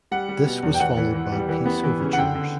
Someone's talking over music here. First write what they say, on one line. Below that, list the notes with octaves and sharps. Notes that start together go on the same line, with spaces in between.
This was followed by peace overtures.
G3 F#5
G3
B2
E2
G5
E2 F#5
E3
E3
G3
E3
B3
E3
C#3
F#5
D3 G5
D3